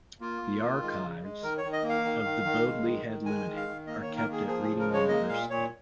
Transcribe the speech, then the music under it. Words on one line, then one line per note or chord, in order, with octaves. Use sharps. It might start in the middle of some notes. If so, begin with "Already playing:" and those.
The archives of The Bodley Head Limited are kept at Reading University.
A#3 F4
A#3
D#3
G#3
C#3
G#3
D#3 A#4
C#5
D#3
D#5
A#3
F5
D#3
D#3
D#3
G#3
D#3
D#3
G#3 G#5
D#3
F5
D#3
A#3 D#5
D#3 C#5
A#4
A#3 G#4
F3 G#4
C#3 G#4
A#4
G#3
C#5
A#3 D#5
A#2 F5
A#2 C#5